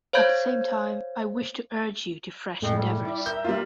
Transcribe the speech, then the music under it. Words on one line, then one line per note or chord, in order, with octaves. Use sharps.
At the same time, I wish to urge you to fresh endeavors.
C5 C#5 F5 B5 G6 G#6
F2 A2 G#3
G3
E4 D5
A#4 E5 G6
G3 A#3 F4